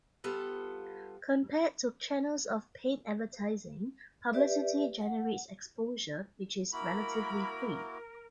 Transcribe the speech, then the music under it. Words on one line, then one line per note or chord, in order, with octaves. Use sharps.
Compared to channels of paid advertising, publicity generates exposure which is relatively free.
G3 B3 F4 A4
G4 B4 D5 E5
F#5
A#3 E4 F#4 A#4 B5